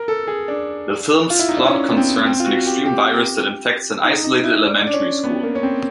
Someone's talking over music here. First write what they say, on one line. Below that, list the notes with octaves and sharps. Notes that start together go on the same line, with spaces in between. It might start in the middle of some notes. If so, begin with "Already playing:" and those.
The film's plot concerns an extreme virus that infects an isolated elementary school.
Already playing: A#4
A4
G#4
D4
F4
E4
D#4
D4
C#4
B3
C4
C4
F4
F#4
G4
G4
D#4
D#4
E4
D4
D4
C#4
B3
A#3
C#4
C4